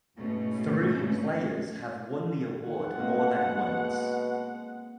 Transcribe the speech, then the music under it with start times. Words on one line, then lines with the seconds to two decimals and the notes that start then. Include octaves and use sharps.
Three players have won the award more than once.
0.19 G#2 B2 A3 C#4
2.64 D#3 G#3 F#5
2.99 B2 A#3 C4 C#4